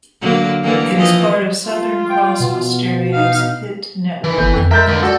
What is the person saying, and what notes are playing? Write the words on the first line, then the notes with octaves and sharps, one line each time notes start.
It is part of Southern Cross Austereo's Hit Network.
D3 F#3 A#3
D3 E3 A#3
E3 F3 D#5
F4
G5
B2
D#4 F5
E3
G1 G6
F2
G#3 A#4 E5 G6 A6
C#2 D3
F#4 A4 D5